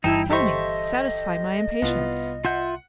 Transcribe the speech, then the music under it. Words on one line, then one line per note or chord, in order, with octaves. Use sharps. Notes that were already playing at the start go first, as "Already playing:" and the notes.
"Tell me; satisfy my impatience."
G1 G2 E3 D#4 E4 G5 A5
G4 A4 C5 D#5 E5 C#6
C2 B3 F4
F4 E5 F#5 G6